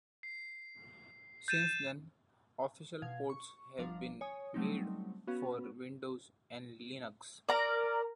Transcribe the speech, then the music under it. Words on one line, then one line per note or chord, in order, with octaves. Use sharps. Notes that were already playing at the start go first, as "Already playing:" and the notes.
Since then, official ports have been made for Windows and Linux.
C7
G6 A6 D#7 E7
B2 F5 G#6
C#6
G1 F3 D4 F5 A#5
C#5 G#5 D#6
F#3 G3 A3 C4 C#4 D#4
B3 C#4 F#4 B4 F5
A#4 D5 A#5